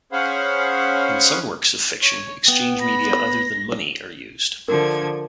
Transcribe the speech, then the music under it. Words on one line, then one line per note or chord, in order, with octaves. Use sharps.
In some works of fiction, exchange media other than money are used.
C#4 G#4 C5 F5 F#5 B5
C#5
B3 G5
B5 A#6
D3 F3 A#4 G#6